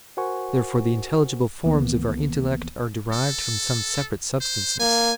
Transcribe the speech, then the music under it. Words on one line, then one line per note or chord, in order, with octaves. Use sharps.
Therefore the intelligible forms of our intellect are derived from some separate substances.
F#4 A#4 C5 F#5 G#5 C#6
C#2 D#3 E3 A#3 B3
A4
C5
A#3 G#5